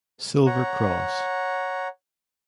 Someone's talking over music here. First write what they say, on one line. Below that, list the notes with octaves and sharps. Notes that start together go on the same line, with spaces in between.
Silver cross.
C#5 F#5 A#5